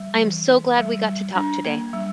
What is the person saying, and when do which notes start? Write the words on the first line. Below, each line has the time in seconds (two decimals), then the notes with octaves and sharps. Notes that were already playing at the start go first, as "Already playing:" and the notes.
I'm so glad we got to talk today.
Already playing: G3
0.21 E3
0.50 D#4
0.78 G3
1.07 G3
1.35 D4
1.65 A#3
1.93 G3